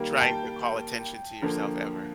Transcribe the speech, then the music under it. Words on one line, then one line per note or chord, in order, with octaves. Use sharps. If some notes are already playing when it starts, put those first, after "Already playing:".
trying to call attention to yourself ever?
Already playing: D#3 G3 A#3
G5 A5
D3 F3 A#3